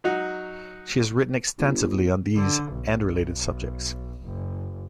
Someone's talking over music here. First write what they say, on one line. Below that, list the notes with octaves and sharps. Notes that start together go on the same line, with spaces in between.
She has written extensively on these and related subjects.
F#3 D#4 F#4
G1
D3
B1
F#1